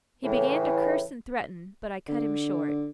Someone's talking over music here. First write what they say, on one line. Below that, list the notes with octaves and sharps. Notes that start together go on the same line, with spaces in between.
He began to curse and threaten, but I cut him short.
A2 C#3 E3
D3